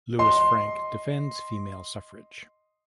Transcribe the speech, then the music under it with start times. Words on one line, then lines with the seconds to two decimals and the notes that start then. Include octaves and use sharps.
Louis Frank defends female suffrage.
0.19 D#5 C6